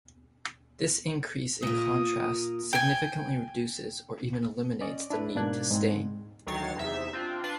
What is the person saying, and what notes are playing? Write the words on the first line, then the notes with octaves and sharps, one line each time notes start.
This increase in contrast significantly reduces, or even eliminates the need to stain.
A#2 A#3 D#6
G5 G#5
C#4 D5 D#5
D4 E4 B4 D5
G#2 B2 A#3 D4 F#6 G#6
G#2 C4
D2 D#3 F#3 C#5 A6 C7
E2 C3 D#4 E5
C4 D4 F4
D4 B4 F5 C7